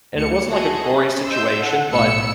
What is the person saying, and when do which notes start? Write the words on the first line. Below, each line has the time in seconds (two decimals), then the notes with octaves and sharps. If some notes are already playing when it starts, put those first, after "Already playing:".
and it wasn't, like, a gory situation, but
0.14 D2 C#7
0.48 F#4 G#4 A4 D#5
0.92 C#4
1.28 C5 D#5 E5 E6 G6
1.61 A4 F#5
1.92 B1 A2 B3 E6 C#7